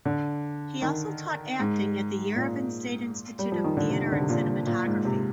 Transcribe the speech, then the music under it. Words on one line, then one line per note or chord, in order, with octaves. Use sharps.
He also taught acting at the Yerevan State Institute of Theatre and Cinematography.
D3
D#3
G#2
A#2
G3
F3
D#3
D3
C3
D#3
D3
C3
A#2
A#2
G#2
C3